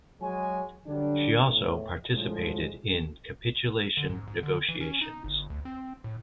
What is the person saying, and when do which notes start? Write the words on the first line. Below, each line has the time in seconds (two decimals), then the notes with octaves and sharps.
She also participated in capitulation negotiations.
0.20 F#3 G#3 F#4 C#5 G#5
0.87 D3 F#3 G3 D4
1.45 E2 A2
2.12 A2 D3 F3 G#3
3.97 D3
4.10 G#2
4.28 G#2
4.43 D3
4.69 E3
4.81 C#4
5.01 D#4
5.24 G1
5.50 D2
5.65 C4
6.04 A2